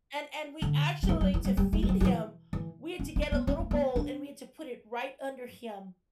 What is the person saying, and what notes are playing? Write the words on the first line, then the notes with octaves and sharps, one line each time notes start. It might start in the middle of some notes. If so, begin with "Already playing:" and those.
And and we actually to feed him, we had to get a little bowl, and we had to put it right under him
D3
F#3
E3
F#3
E3
G3
G3
A3
G3
F#3
F#3
E3
E3
C#4
C#4
B3
C#4
C#4
B3
D4